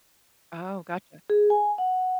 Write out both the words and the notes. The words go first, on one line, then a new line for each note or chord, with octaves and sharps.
Oh, gotcha.
G#4
G#5
F#5